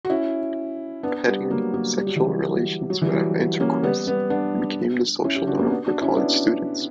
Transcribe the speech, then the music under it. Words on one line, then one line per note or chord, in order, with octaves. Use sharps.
"Petting", sexual relations without intercourse, became the social norm for college students.
F#4
C#4 E4
B3 D4
G3 B3
F#3 A#3
F#3 A#3
G3
F#3
E3 G3
F#3
E3 G3
F#3
A#3 C#4
G3 B3
G3 B3
B3 D4
C#4 E4
E4 G4
D4 F#4
A#3 C#4
B3 D4
D4 F#4
C#4 E4
B3 D4